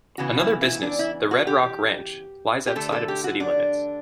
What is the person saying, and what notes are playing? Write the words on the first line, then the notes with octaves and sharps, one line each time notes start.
Another business, the Red Rock Ranch, lies outside of the city limits.
C#3 E3 B3 F#4
E4
E4
D4
E4
F#4
G4
G4
D3 A3 A4
A4
G4
F#4
D4